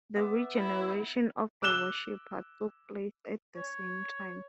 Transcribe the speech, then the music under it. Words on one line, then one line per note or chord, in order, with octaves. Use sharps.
The regeneration of the worshipper took place at the same time.
B3 E5 D6
E4 B5
D6 E6 F#6 E7 G7
C#5